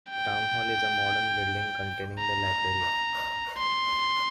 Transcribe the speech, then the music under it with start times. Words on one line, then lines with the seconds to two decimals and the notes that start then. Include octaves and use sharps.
The town hall is a modern building containing the library.
0.10 G5
2.19 A#5
3.58 C6